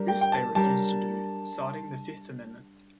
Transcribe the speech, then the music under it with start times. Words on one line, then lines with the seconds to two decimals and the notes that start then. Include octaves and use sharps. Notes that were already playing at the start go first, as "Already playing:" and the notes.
This they refused to do, citing the Fifth Amendment.
Already playing: G3 D4 G4 A#4
0.08 G5
0.21 G5
0.32 A5
0.55 G3 D4 G4 A#4 A5